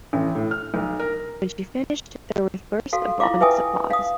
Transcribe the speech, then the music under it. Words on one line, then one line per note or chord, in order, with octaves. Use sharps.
When she finished there were bursts of honest applause.
A1
A2
F6
B1
A#4
F#4 A4 F5
E4 F4 F5 D6
B4 E5 G5 G#5 D#6
F5 D#6